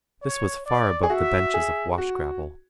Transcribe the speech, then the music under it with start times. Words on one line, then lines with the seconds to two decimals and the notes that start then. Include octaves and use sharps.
This was far above the benches of wash-gravel.
0.22 C#5
0.66 D5
1.03 G#4
1.10 F#4 E5
1.54 G#4
1.98 F#4